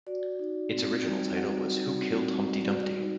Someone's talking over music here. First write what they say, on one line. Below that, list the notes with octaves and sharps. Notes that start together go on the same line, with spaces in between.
Its original title was Who Killed Humpty Dumpty?
F#4 D5
D#4
C4
G3
F#4 F#5
D#4
C4
G3
F#4 D5
D#4